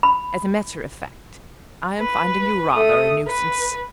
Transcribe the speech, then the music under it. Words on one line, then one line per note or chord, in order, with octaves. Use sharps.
"As a matter of fact I am finding you rather a nuisance."
B5
B4
A3 D#6
B4